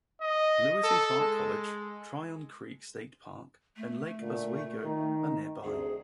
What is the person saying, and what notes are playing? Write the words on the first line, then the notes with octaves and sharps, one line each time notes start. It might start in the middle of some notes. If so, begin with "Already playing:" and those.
Lewis and Clark College, Tryon Creek State Park, and Lake Oswego are nearby.
D#5
A4
G#3
A3
A#2 D3
D#3
D2 C3 G#4